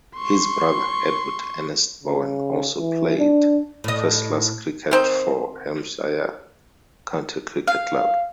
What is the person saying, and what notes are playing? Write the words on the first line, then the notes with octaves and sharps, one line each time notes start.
His brother, Edward Ernest Bowen also played first-class cricket for Hampshire County Cricket Club.
C6 C#6
C#3
E3
D4
A2 D#5
D#3 C4 C5
F5